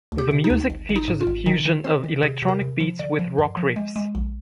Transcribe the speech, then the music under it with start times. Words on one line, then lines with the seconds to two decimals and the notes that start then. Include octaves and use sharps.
The music features a fusion of electronic beats with rock riffs.
0.12 D2
0.18 G4
0.31 C3
0.44 D#4
0.50 D2
0.70 G#1
0.89 G#1
0.96 D#4
1.08 G#2
1.21 F4
1.27 G#1
1.46 D#3 D#4
1.65 D#3
1.84 C4 C5
2.04 D#3
2.23 C3 G#4
2.42 C3
2.48 A#4
2.61 C3
2.80 F3
2.99 D3 D5
3.19 F3
3.38 G2
3.57 F3
3.76 G#3
3.96 G#3
4.15 A#1